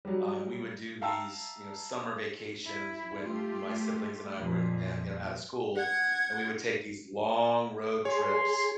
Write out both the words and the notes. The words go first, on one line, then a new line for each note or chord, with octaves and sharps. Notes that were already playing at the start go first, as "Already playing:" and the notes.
um, we would do these, you know, summer vacations when m my siblings and I were in, yeah, you know, outta school, and we would take these long road trips,
F#3 G3
E5 F5 G5 A5 A#5 E6
E4
A3 F4 G4
F2 A#2 F3
F#5 G#6
G#4 C#5 C6